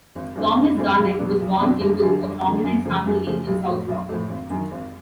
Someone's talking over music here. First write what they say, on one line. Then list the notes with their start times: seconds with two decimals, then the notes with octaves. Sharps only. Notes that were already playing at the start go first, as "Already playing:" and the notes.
Thomas Garnet was born into a prominent family in Southwark.
0.15 G#1
0.35 G2 E3 A3 C4
0.57 G#1
0.78 G2 E3 A3 C4
0.98 B1
1.19 B2 F#3 B3 D4
1.40 B1
1.60 B2 F#3 B3 D4
1.81 G1
2.02 F#2 D3
2.22 G1
2.43 F#2 D3
2.64 F#2
2.85 C#3 F3 A3
3.06 F#2
3.27 C#3 F3 A3
3.47 B1
3.67 A2 F3 A3
3.88 B1
4.09 A2 F3 A3
4.30 G#1
4.50 F#2 D#3
4.71 G#1